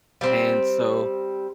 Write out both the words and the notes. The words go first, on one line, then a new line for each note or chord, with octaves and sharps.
And so
G3 C4